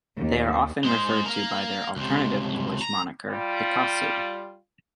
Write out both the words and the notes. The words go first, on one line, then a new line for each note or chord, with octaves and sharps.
They are often referred to by their alternative English moniker, Hikasu.
D#2
G#3 C5
A#3 A#4
C#2 C3
A#5
G3 F4